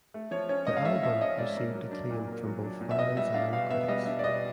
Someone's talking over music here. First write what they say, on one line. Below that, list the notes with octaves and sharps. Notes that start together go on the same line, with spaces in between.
The album received acclaim from both fans and critics.
A3
F3 C#5
C#4 C#5
G#2 D#5
F5
A3 E5
F3 E5
C#4 D#5
G#2 D5
A#3
F#3
D4
A#2
A#3
F#3
D4
A#2
E5
B3 D#5
G3 E5
D4 F5
B2 F5
B3 E5
G3 D#5
D4 E5
D5
B2 D#5